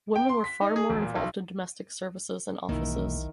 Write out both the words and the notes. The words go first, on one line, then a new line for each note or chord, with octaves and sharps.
Women were far more involved in domestic services and offices.
G5
C6
B6
D#4
G#4
E1
A#2
B1
E1 B1 D#3 A#3 E4